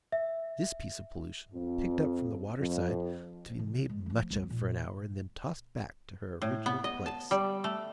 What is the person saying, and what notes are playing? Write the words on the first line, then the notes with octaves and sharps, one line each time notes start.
This piece of pollution, picked up from the water-side, to be made much of for an hour, and then tossed back to her original place!'
E5
F2
F2
C3 E3
G#3
F3 A3
C2 D3
A#2 D#4
A2
B3
D#5
A5
G3
A3